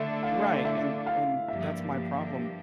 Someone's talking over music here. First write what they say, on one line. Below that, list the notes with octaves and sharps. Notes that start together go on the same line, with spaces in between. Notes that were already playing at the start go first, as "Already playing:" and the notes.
Right, and and that's my problem.
Already playing: D3 A3 D4 A4 D5 E5
F5
E5
F5
G2 F3 A#3 D4 G4 E5